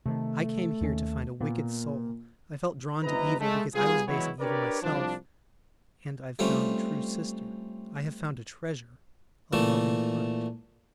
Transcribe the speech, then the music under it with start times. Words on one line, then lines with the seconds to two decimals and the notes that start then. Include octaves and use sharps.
I came here to find a wicked soul--I felt drawn to evil because I was base and evil myself, and I've found a true sister, I have found a treasure--a loving heart.
0.06 C3 D#3 A3
0.81 D#2 D#3 C#4
1.41 A#2 B3
3.03 F#1 C3 E4 B4 D#5 A#5
3.40 G#3 A3
3.74 G3 B3 F4 G#4
4.08 E3 F#3 G#3 B3 E4 C#5
4.40 D4 G4 A#4 B4 C#5 D5
4.83 C2 F3 D4
6.39 G3 A3 C4 C#4 F4
9.53 A#2 E3 A3